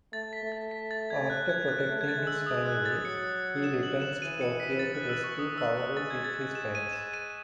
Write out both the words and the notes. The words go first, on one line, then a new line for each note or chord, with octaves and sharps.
After protecting his family, he returns to Tokyo to rescue Kaoru with his friends.
A3 A6
B6
A3
A6
B6
A6
G#6
F#6
G#6
F#6
A3 G#6
G#6
A6
G#3
E6
G#3 D#6
F#6
A6
F#3 C#7
E7
F#7
E7
E3 D#7
C#7
B6
A6
F#6
E6
C#6
D#6
E6
F#6
G#3 A6
G#6
G#3 A6
E7
D#7
E7
D#7